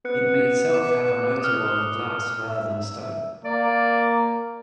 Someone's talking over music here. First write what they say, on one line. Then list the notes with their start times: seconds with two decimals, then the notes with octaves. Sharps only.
It may itself have an outer wall of glass rather than stone.
0.05 B3 F#6 C#7
0.74 D6
1.41 D#6 F6
2.50 E5
3.45 A#3 D5